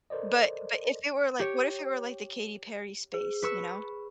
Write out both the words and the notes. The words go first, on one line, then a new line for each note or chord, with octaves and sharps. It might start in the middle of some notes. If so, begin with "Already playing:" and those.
but but if it were, like what if it were, like, the Katy Perry space, you know,
A4 A#4 C5 D5 D#5
G4 C#5
G#4
B4 C#6 E6